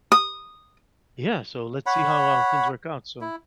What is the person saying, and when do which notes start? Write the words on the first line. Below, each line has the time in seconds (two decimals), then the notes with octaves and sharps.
Yeah, so let's see how our things work out, so
0.12 D#6
1.86 C#5 F#5 B5
3.21 E4